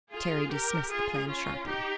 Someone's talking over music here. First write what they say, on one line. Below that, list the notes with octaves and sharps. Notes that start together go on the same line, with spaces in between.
Terry dismissed the plan sharply.
F4 G#4
G4 A#4
F4 G#4
C#4 F4
D#4 G4